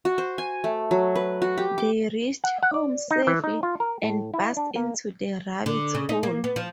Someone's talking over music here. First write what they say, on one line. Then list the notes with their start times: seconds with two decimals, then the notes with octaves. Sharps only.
They reached home safely and burst into the rabbit hole.
0.05 F#4
0.18 C5
0.38 G#5
0.64 A3
0.91 F#3
1.16 B4
1.42 F#4
1.58 G4
1.78 D6
2.44 F#5
2.63 F#5
2.74 D5
3.11 D#4
3.27 E3
3.44 D#4
3.63 F4
3.80 A#4
4.02 A2
4.34 E4
4.57 D4
4.76 A#3
5.66 D3
5.95 C#3
6.09 D#4
6.23 A#3
6.44 B3
6.56 F3